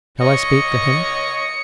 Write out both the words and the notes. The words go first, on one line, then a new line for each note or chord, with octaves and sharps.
Shall I speak to him?
C#5 D#5 C#7